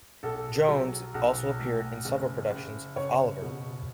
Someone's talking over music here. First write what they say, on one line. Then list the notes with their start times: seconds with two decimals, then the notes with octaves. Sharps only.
Jones also appeared in several productions of Oliver!
0.23 B1 A4
0.68 F#3
1.14 B1
1.60 A2
2.05 F#1
2.50 F#1
2.96 F#1 C#5
3.42 B2